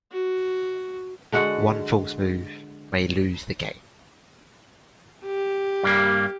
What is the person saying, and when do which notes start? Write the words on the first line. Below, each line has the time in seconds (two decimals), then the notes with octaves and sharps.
One false move may lose the game.
0.12 F#4
1.32 D3 G#3 F#4 F#5
5.25 G4
5.83 G2 G3 A#3